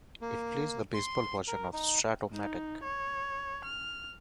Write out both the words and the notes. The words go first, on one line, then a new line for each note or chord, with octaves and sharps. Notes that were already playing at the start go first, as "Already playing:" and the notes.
It plays the baseball version of Strat-O-Matic.
A#3
C6
A#4
D#4
D#4
C#5
F6